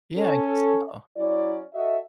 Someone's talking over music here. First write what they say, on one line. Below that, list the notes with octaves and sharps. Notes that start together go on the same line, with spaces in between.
Yeah, I guess so.
C#4 A4
F#3 C#4 E4 D5
F#4 A4 D#5 E5